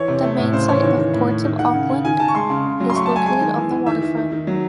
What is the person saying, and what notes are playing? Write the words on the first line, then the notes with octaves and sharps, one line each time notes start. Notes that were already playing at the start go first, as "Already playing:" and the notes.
The main site of Ports of Auckland is located on the waterfront.
Already playing: E3 C#5
C3
A3
A2
C#3 C5
E3 C#5
D#3 C#5
D#3
A2
A2
D#3
D#3 F#5
C#3
C#3
D#3 G#5
D#3 A5
C#6
G#3 C6
C#3
C#3
F#3
C6
A3 C#6
A3 A5
G#5
G#3 G#5
D#3
E3
E3
D#3 E5
D#3
D#3
D#3
F#3